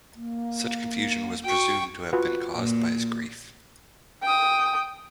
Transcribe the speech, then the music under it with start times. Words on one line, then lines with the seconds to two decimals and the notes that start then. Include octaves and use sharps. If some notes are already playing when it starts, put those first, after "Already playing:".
Such confusion was presumed to have been caused by his grief.
0.15 A#3
1.44 F#4 G5 C#6
2.13 F4 F#4 B4
2.54 A#2
4.22 G5 D#6